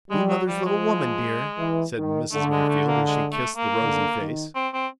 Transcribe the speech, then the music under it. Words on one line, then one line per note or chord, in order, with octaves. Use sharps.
"Be mother's little woman, dear," said Mrs. Mayfield as she kissed the rosy face.
G3 G#3
F#3
F3 G3
G#3
E3
D#3
D3 A3
G#3
A3
A#3
G#3
A3
A#3
D3
D#3
C4
C4